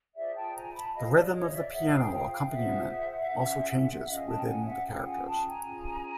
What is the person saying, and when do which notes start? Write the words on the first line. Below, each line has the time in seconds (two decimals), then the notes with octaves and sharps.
The rhythm of the piano accompaniment also changes within the characters.
0.15 F4 G#4 C5 D5 E5
0.35 G5 A5
0.54 G#5 A#5
0.74 A5 B5
0.94 F4 G#4 C5 D#5 F5
1.13 D5
1.33 C#5 D#5
1.52 D5 E5
1.72 F4 G#4 C5 E5 F#5
1.91 F5 G5
2.11 F5 G5
2.30 F5 G5
2.50 F4 G#4 C5 E5 F#5
3.28 C#4 F4 G#4
4.06 C#4 F4 G#4 D#5 F5
4.26 G5 A5
4.37 G5
4.45 F#5 G#5
4.65 E5 F#5
4.84 C#4 F4 G#4 F5 G5
5.04 F#5 G#5
5.23 G5 A5
5.43 G#5 A#5
5.62 C#4 F4 G#4